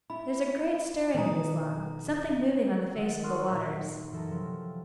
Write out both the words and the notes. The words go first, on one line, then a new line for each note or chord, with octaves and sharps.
There's a great stirring in Islam, something moving on the face of the waters.
E4 B5
B2 D#3 D#4 G#5 A#5
D#3 F#5 E6 A6 D7
F#5 C6 C#6 D#6 F6 F#6
D#1 D#4 E5 C#6 G6
F#2 E3 A4 A#6
C3 F3 F#3